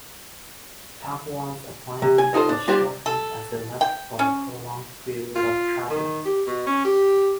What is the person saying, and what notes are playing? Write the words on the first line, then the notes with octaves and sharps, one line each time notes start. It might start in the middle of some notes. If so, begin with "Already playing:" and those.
Takuan's appointment was shortened as he left for a prolonged period of traveling.
C3
G#5
C#2 D#4 F4 A4 C5
D4
G3 D4 F4 G4 C5 F5
A4
G5
C#4
F4
D#3
G4
B2
C#4
G4